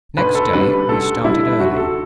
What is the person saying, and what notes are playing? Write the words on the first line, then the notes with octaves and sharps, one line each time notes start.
Next day we started early.
D2 B4
A4
D3 G3 B4
D2 A4
D3 G3 E4
D2 F#4
A4